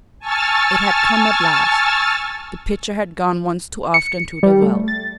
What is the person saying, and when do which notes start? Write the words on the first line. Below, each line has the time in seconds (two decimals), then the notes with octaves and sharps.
It had come at last--the pitcher had gone once too often to the well!
0.19 G#5 A5 C#6 E6 F6 A6
3.94 C#7
4.43 G3
4.62 A3
4.88 A6